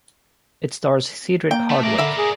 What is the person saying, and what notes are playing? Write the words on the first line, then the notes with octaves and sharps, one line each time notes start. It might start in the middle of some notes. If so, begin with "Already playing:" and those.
It stars Cedric Hardwicke.
A#3 G5
A3
A3 A#4 D5
D3 E5 B5
G#4